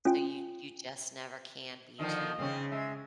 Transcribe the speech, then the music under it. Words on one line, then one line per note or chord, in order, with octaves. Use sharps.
So, you you just never can be too
C#4 F4 G5
D3 D#3 F3 D#5
C#3 C4 C#4
G#3 E5